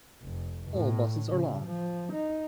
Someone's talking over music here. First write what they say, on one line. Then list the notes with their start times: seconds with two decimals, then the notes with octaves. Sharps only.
All buses are long.
0.23 F1
0.71 A2
1.31 C#3
1.66 F3
2.13 D#4